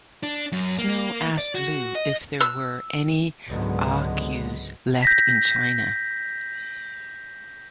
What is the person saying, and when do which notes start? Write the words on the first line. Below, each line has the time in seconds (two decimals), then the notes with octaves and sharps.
Snow asked Lu if there were any Ah Q's left in China.
0.23 D4
0.52 F#2
0.78 A#3
1.38 D5
1.55 F#4
1.95 D#5
2.41 E6
3.49 C#2 G#2 D3 F#3 G#3 B3
5.03 G6 A#6 B6